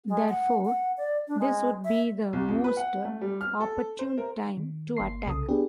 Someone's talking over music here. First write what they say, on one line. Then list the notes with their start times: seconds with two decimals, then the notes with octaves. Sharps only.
Therefore, this would be the most opportune time to attack.
0.08 G#3
0.29 F#5
0.65 F#5
0.97 D5
1.28 D4
1.39 G#3
1.84 E5
2.33 C2
2.48 F2
2.64 B4
2.77 F#5
3.05 A3
3.21 G3
3.41 F6
3.60 A4
3.99 C5
4.18 A#4
4.57 D#3
4.97 G1 A#3 C6 C7
5.26 C2 C#3 A4 D#6
5.49 B3 D4 G4 G#4 B4